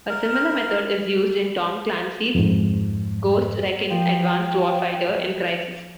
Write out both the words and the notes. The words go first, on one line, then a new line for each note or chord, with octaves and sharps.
A similar method is used in "Tom Clancy's Ghost Recon Advanced Warfighter" and "Crysis".
A#4
F2 G#2
F3 G5